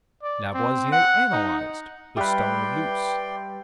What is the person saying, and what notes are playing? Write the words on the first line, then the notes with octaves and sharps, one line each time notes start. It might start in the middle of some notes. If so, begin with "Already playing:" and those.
Lavoisier analyzed the stone of Luce.
D5
C4
F#5
D#4
G3 G4 B4 D5 E5 F5 G5 C6